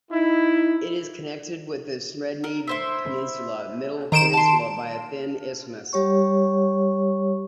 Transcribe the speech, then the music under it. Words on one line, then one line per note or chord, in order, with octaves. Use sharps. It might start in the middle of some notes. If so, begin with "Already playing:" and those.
It is connected with the Sredny Peninsula, "Middle Peninsula" by a thin isthmus.
D#4 E4
A#4
E4 C5 E5
D#3 C5 A#5 D7 E7
A5 C6
G3 G4 C#5 C#6